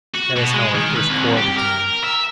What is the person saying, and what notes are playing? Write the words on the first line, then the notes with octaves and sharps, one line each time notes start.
That is how our first quarrel began.
F#4
B2
G#3
D#3
B4
C2
G4
A#4
E5